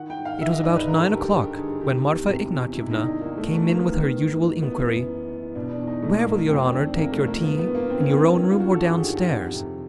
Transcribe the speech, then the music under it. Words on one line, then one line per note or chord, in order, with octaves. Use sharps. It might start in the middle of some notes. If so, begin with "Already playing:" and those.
It was about nine o'clock when Marfa Ignatyevna came in with her usual inquiry, "Where will your honor take your tea, in your own room or downstairs?"
Already playing: D#3 F#5
G5
G#2
F5
D#3 E5
D#5
G#2 D5
B4
G2 A#4
A4
D3 G4
G4
G2 G4
D3 G#4
D#3 G4
E2
C3
E2
G#2 E4
D#4
D#3
D4
D#3 A#3
A3
D#3
A3
D#3 A#3
B3
A#3
D#3
G#2
G#2
E3 B3
F#2
E3
E3
B2 D4
D4
E2
D#4
B2 A3
B2 A#3
F2 C4
D#3 D4
C3 A#3
A3
F2
A#3
A#3
E3 B3
B3
G2
A#3
G2 C4
C#4
E3 C4
D#3 C#4
F4
G2 F#4
A4
G2 G#4
G4
D#3
G4
F2
C3